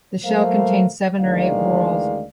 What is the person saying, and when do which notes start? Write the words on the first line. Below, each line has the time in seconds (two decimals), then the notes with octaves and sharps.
The shell contains seven or eight whorls.
0.25 F#3 A3 A#3 A#4 C5 F5
1.20 D2 D#3 E3 G#3 D5 F5